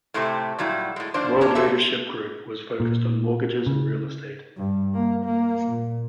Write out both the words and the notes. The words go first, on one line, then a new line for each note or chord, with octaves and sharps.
World Leadership Group was focused on mortgages and real estate.
A2 C3 A3 C4 G4
A#2 F#3 G3 E4
A2 G#3
G#2 F3 A#3 D4 C5
C#4 D4 A#5
A#2 E3 A4 C5 E5
A#2
C#3
G2
A#3
A#3
A#2